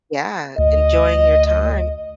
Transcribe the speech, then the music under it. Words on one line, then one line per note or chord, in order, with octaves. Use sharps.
Yeah, enjoying your time
D2 D#5